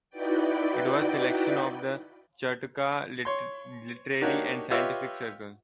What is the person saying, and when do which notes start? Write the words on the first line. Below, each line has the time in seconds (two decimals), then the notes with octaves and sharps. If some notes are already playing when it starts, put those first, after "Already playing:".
It was a selection of the Chautauqua Literary and Scientific Circle.
0.10 D#4 E4 F#4 B4 D5 G5
3.25 C#5 C6
4.21 A#3 D4 D#4 F#4 G4 C#5
4.71 F4 G4 B4 C#5 D#5 E5